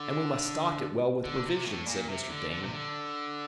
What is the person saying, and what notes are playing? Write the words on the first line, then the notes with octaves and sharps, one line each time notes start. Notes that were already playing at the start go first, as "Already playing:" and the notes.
"And we must stock it well with provisions," said Mr. Damon.
Already playing: D3
D3
C3
A2
A#2
C3
D3
D3
C3
D3